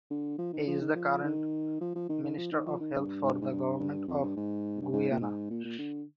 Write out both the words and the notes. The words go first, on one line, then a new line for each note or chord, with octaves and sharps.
He is the current Minister of Health for the Government of Guyana.
D3
F3
D#3
F3
D#3
F3
D#3
F3
F3
D#3
D#3
F3
D#3
F3
D#3
G2
G#2
G2
G#2
G2
G2
F2
G2
G#2
G2
G#2
A#2
G#2
A#2
A#2
D3